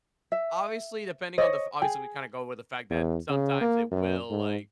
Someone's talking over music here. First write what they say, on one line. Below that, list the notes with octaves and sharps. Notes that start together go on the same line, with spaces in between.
Obviously, depending on the f obviously, we kinda go with the fact that sometimes it will, like,
E5
C5 C#5 D#5
G#4 G5
E2
C#3
A#3
F#2
G#2